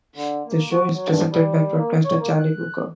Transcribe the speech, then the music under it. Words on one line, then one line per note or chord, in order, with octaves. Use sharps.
The show is presented by broadcaster Charlie Brooker.
D3
A#3
F#4
F#3
G2
G3
A#3
C#5
A#3
F#6